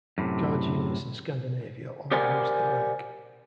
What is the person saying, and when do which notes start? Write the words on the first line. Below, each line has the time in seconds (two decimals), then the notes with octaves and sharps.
Guards units in Scandinavia all use the rank.
0.18 F#2 A2 C3
2.11 G4 A#4 C5 D5 F#5 G#5